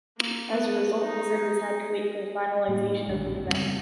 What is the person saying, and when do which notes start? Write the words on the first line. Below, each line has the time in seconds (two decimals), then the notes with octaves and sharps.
As a result, visitors had to wait for the finalization of the event.
0.17 A#3
0.49 B3
1.02 D#4
2.68 A2 G3 G#3 A#3
3.08 A#1 G2 D3 D#3
3.45 F#2 C#3 G3 C4